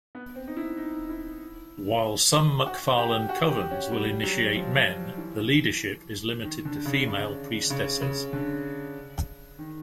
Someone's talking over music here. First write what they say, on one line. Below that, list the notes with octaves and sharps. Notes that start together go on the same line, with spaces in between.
While some McFarland covens will initiate men, the leadership is limited to female priestesses.
B3
C4
D#4
E4
D#4
E4
F#4
G4
F#4
G4
C#4
G3
F#3
F3
E3
D#3
D3
C#3
C#3
C#3
C#3
D3
D#3